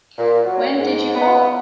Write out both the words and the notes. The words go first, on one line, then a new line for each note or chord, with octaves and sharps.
When did you follow?
A#2
F#3
G#2
B3